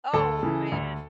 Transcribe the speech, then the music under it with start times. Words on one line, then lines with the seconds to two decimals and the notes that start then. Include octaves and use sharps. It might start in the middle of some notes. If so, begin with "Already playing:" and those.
Oh, man.
0.13 D2 A4
0.43 C#3 E3
0.72 D2